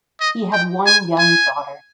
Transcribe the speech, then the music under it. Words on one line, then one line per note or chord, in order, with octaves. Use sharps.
He had one young daughter.
D#5
G5
G#5
G#5